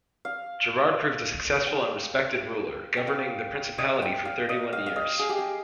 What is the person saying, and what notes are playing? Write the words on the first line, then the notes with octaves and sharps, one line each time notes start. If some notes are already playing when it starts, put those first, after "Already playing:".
Gerard proved a successful and respected ruler, governing the principality for thirty-one years.
F5
G5
G5
F5
D#5
G5
F5
D#5
F5
F5
D#5
G#4
G4
G#4